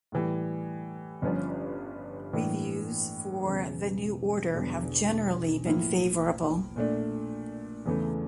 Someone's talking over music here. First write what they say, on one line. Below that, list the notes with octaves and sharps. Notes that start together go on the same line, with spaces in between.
Reviews for "The New Order" have generally been favorable.
A2 E3 G3
G1 G2 F3 C#4 F4
A2 E3 A#3 D4
E1 E2 C#3
E1 E2 D3
A2 F3 A#3 E4
A#2 A3 D4
E2 C#3 E3 A3